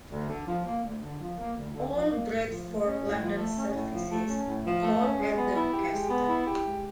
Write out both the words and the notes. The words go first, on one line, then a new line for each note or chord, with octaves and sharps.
All Bradford-London services call at Doncaster.
D2
D3
F3
A#3
D2
D3
F3
A#3
D2
D3
F3
A#3
A2
F3
A3
C#4
A2
F3
A3
C#4
A2
F3
A3
C#4
A2
F3
A3
C#4
G#3
B3
E4
G4
G#3
B3
E4
G4
G#3